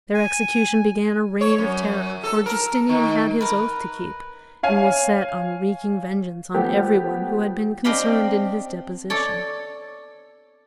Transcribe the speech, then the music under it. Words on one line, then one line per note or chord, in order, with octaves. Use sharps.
Their execution began a reign of terror, for Justinian had his oath to keep, and was set on wreaking vengeance on every one who had been concerned in his deposition.
G#5
C#5
F#2
A4
A#4
D#3
A#4 B4
C#5 F5 G#5
F3 A3 B3 G4
C4 D4 G4 D#5 F5 B5
A4 C#5 D5